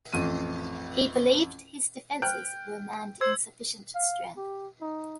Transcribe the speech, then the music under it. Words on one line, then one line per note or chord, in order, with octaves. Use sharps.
He believed his defenses were manned in sufficient strength.
A1 F2 D#7
G5 F6 F#6
C5 E6 G#6
F5
G4
D#4